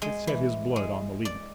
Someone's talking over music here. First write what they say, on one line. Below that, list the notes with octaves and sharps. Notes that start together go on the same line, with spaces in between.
It set his blood on the leap.
G#3
E3
G#3
D5